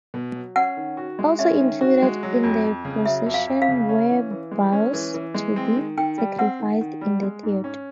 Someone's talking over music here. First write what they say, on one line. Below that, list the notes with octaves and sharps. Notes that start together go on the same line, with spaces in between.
Also included in the procession were bulls to be sacrificed in the theatre.
B2
F#3
C#4 F#5
D#3
F#4
G#3
C#4 E5
D#3
F#4
G#3
F#3
F2
F2
C#3
F#3 E5
F2
F5
F2
F5
C#3
C#4
E3
E3
G#3
C#4
E3
E3
G#3
C4
D#3
D#3 G5
G3
C4 F#5
D#3
D#3
G3
G#3
G#2
C#4